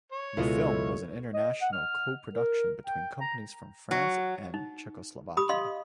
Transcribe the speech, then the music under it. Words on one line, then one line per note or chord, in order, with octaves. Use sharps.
The film was an international co-production between companies from France and Czechoslovakia.
C#5
C#2 B2 G#3 E4 F4 A4 D#5
D#5
F#5
F6
A#4
G5
A#5
F#3
D#4
G4 B5 D#6
D#5 F5 C6